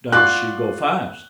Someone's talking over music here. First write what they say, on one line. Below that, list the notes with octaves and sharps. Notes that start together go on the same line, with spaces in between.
"Does she go fast?"
F4 D5 F#5 C#6 F#6